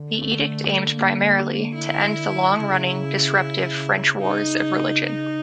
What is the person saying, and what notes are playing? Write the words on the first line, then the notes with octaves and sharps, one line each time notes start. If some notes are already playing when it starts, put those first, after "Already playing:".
The Edict aimed primarily to end the long-running, disruptive French Wars of Religion.
Already playing: D3
A3
A#3
E4
C#3 E4
C#3 D#4
D#4